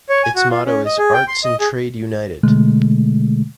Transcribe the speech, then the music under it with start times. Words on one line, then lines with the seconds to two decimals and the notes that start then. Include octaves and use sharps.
Its motto is "Arts and Trade United".
0.09 C#5
0.24 G#5
0.36 F#4
0.50 F4
0.66 C#4
0.86 D#5
0.98 G#4
1.13 G5
1.28 C6
1.44 D#5
1.60 G#4
2.43 B2 D3 G#3 A3